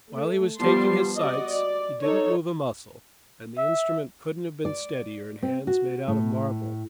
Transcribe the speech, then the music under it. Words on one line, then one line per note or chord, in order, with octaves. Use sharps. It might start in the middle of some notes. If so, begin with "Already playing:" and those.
While he was taking his sights, he didn't move a muscle, and the instrument couldn't have been steadier in hands made out of marble.
A3
F3 G3 B3 A5 C6
F#4 D5 D#5
D5
D#4 A4 C#5
E5
D5
C4
F#4
A2